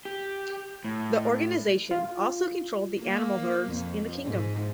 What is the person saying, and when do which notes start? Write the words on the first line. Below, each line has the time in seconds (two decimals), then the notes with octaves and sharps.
The organization also controlled the animal herds in the kingdom.
0.05 G4
0.84 A2
1.91 F4
3.02 A#3
3.69 F2
4.25 G#2